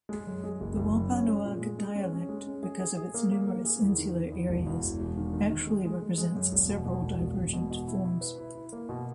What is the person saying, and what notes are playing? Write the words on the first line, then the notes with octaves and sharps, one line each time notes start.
The Wampanoag dialect, because of its numerous insular areas, actually represents several divergent forms.
G#3
F#2
G#3
F#1
F#1
F#2
C#4
G#3
A#2
G#3
G#3
C#4
C#4
G#3
C#4
G#4
G#4
G#4
A#3
A#3
A#3
G#4
E2
D#3
D#3
E2
E1
E2
E1
E1
D#3
D#3
D#3
G#3
G#3
G#3
G#3
F#2
E1
B2
B2
E1
E1
E1
B2
B2
E4
E4
B4
E4
E4
A#3
B2